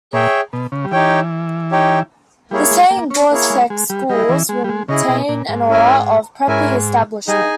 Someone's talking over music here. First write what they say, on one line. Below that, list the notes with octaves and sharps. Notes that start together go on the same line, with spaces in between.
The Saint Grottlesex schools retain an aura of preppy establishment.
A#2 G#4 C#5 E5 G5
B2
C#3
G3
E3 D#4 G4 C#5 G5
D#4 G4 C#5 G5
G3 A#3 E4 G#4 C#5
G#3
A#3
C#4
A#3 E4 G#4 C#5
G#3
G#3
G3
G3 E4 G#4 D#5
E3
G#3
G3
G#3
C#3 E4 G#4 D#5
B2
A#2
G#2
C#4 E4 A#4 E5 G#5
G#2 C#4 E4 A#4 E5 G#5
G3 D#4 G#4 D#5 G#5